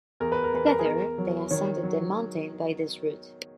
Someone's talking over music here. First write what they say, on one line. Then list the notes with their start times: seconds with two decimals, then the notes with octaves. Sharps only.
Together, they ascended the mountain by this route.
0.20 E2 A#4
0.32 B4
0.44 A#4
0.53 E2 B4
0.67 A#4
0.79 G#4
0.85 E2 A#4
1.18 F#3
1.50 D#3 C#5
1.83 F#3